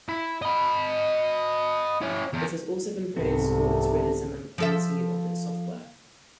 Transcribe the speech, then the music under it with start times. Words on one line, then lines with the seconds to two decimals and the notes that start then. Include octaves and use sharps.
It has also been praised for its realism and the quality of its software.
0.09 E4
0.42 D#5 B5
2.01 C#4 E4
2.33 E2
3.16 C2 G#2 C3 D#3 B3 C4 A4
4.58 F3 A4 E5